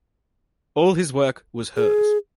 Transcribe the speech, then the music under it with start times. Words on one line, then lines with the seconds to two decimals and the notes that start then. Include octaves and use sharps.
All his work was hers.
1.76 G#4